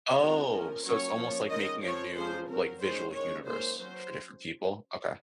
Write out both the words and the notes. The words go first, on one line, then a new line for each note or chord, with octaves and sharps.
Oh, so, it's almost like making a new, like, visual universe for different people? Okay.
F3 G#3 C4 F#4
F3 A#3 C#4 A#4
F#3 A#3 C#4 C#5
F3 A#3 C#4
D#3 G#3 C#4 D#5
F3 C4 C#5
F3 G#3 C#4 C5
F#3 C4 A#4
D#3 G#3 C#4 C5
D#3 G#3 C#4 C#5
D#3 F#3 A#3 C#4 C5
F#3 C#4 C5